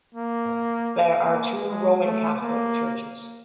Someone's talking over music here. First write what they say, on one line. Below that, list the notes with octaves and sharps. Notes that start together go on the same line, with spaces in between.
There are two Roman Catholic churches.
A#3
A#3
G#3
A3
A#3